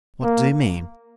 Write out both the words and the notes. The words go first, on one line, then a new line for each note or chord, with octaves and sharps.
"What do you mean?"
A#3